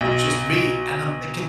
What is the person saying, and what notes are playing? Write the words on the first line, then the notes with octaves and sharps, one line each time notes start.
It's just me," and I'm thinking,
B1